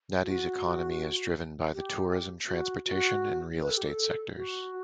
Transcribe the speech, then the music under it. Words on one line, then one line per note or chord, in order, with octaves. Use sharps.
Nadi's economy is driven by the tourism, transportation and real estate sectors.
F#4
G4
F#4
F#4
B4
A4
G4
A4
F#4